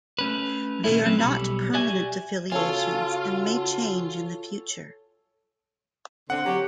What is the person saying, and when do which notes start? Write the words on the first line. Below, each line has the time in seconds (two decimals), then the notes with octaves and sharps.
They are not permanent affiliations and may change in the future.
0.19 A3 C#4 B4
0.84 A#2 D#3 G#3 C#4 E4
1.05 F#3 C4 C#4 B4
1.19 B1 G3 A4 C#5 B5
1.74 F#4 G4 D5 E5 G#5
2.52 C#3 F4 F#4 A4 C#5 G#5
6.30 D3 C4 F#5
6.46 F#3 G4